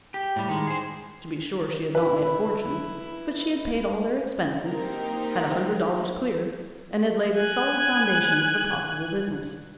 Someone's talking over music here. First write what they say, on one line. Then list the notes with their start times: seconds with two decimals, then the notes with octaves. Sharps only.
To be sure, she had not made a fortune; but she had paid all their expenses, had a hundred dollars clear, and had laid the solid foundations of a profitable business.
0.14 G4
0.36 A2 G3
0.49 D#3 G#3
0.67 G#4 C5
1.95 E4 B4
4.65 A#3 C4 D#4 G4 A#4
7.37 G#5 F#6